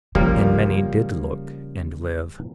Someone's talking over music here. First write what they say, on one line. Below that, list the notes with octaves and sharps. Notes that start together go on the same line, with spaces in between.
And many did look and live.
C#3 F3 G3 A#3